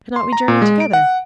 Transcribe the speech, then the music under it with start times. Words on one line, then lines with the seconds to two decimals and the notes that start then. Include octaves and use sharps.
Cannot we journey together?'
0.16 C6
0.33 A#5
0.48 A#2
0.62 G#3
0.80 D7
0.93 F#5